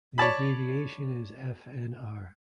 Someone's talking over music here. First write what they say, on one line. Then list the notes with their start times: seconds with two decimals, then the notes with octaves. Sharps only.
The abbreviation is Fnr.
0.18 C#5 D5 A5 B5